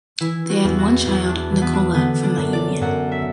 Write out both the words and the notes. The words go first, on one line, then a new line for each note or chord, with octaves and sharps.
They had one child, Nicola, from that union.
E3 E4
F#4
E2
F#4
E2
D4
E3
B3
D4
D3 B3
D4
F#2
D5
F#2 F#5
E5